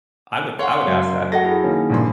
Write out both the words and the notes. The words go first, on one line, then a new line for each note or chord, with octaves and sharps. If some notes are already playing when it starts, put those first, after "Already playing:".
I would th I would ask that.
C#5 F5 F#5 C6
F#2
F#4 A4 D#5 F#5 A#6
E4 G#4
D#3 A#3 C#4
A#1 G2 C6